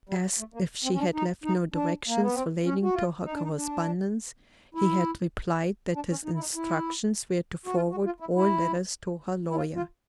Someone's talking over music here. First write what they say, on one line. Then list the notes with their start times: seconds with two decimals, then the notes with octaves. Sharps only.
Asked if she had left no directions relating to her correspondence, he had replied that his instructions were to forward all letters to her lawyer.
0.09 G3
0.39 A3
0.54 A#3
0.84 C4
0.94 C#4
0.99 D4
1.14 D#4
1.44 D#4
1.74 D4
2.08 A#3
2.21 B3
2.34 C4
2.65 C#4
2.83 F#4
2.94 F4
3.24 D#4
3.33 D4
3.44 D#4
3.55 D4
4.75 E4
5.95 D4
6.10 C#4
6.25 D#4
6.34 E4
6.40 D#4
6.55 E4
7.66 F#4
7.76 F4
7.91 F#4
8.05 F4
8.20 E4
8.36 E4
9.49 E4
9.56 F4
9.76 F4